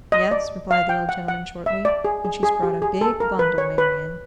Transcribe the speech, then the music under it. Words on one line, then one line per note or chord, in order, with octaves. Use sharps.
"Yes," replied the old gentleman, shortly, "and she's brought a big bundle, Marian!"
D#5
D5
F5
G5
F#5
F#5
E5
D5
G#4
G#4
G#4
G4
G#4
A4
A#4
B4
C#5
B4